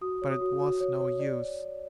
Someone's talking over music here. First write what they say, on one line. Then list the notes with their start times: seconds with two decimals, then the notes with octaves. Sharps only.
But it was no use.
0.01 F#4 D#6
0.22 C#5
0.31 D#6
0.41 F#4
0.60 F#4
0.80 C#5
1.00 C#5
1.19 D5